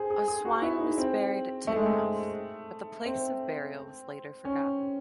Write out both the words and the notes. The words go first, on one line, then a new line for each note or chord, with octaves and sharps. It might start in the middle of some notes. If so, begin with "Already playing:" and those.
Oswine was buried at Tynemouth, but the place of burial was later forgotten.
Already playing: G#4 C5
G#4
G#4
F#4
E4
D#4
C4
A3
G#3
A3
C4
C#4